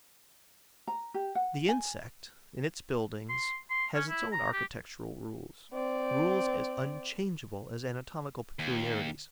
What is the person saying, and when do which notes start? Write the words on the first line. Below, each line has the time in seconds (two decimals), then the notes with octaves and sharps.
The insect, in its buildings, has its own architectural rules, rules as unchangeable as anatomical peculiarities.
0.88 A#5
1.14 G4
1.35 F#5
1.69 G#5
3.29 C6
3.70 C6
3.94 C#4
4.09 E4
4.32 A#5
4.53 G4
5.73 C4 D5
8.59 D#2